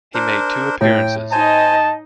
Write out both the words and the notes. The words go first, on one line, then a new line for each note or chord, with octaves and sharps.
He made two appearances.
D4 A#4 C5
A2 G5
D#4 C5 D#5 G#5 A5